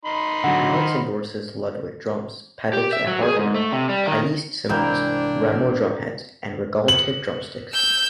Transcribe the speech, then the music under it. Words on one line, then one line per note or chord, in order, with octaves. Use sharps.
Alex endorses Ludwig drums, pedals and hardware, Paiste cymbals, Remo drumheads and Regaltip drumsticks.
D#4 B5 C6
D3 F#3 F#5
D#3
G4
E5
F#3
G#4
G#2
A3
C3
G3
D#3
C2 G#2 E3 A#3 D4 G5 E6
F#7
E6 G6